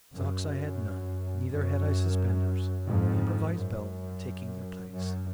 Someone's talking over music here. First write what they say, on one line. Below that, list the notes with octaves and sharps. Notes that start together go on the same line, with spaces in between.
Socks I had none; neither had I suspenders, an improvised belt taking their place.
F#2
F#2
F2 G#2
F#2
F#2